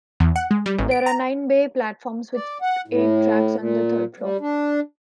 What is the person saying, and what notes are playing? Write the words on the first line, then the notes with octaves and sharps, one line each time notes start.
There are nine bay platforms with eight tracks on the third floor.
E2
F#5
G#3
G3
A1
D7
A#5
D5
F#5
A2
A#2
G3
D4